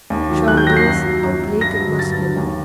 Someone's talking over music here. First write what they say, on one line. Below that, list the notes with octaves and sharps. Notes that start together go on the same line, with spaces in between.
SHOULDERS--Oblique and muscular.
D#2
D#3 F#3
D#2 F#6
G6
D#3 F#3 A#6
C7
F#2
F#3
F#2
F#3
G2 A#6
D3 F#3
G2 A6
D3 F#3
D#2